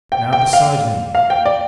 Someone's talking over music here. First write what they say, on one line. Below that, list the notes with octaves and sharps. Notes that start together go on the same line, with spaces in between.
Now beside me!
G5
G5
F5
F5
G5
D5